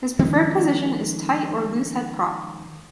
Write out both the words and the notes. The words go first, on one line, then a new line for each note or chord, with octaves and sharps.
His preferred position is tight or loosehead prop.
D#3 F3 G#3 C#4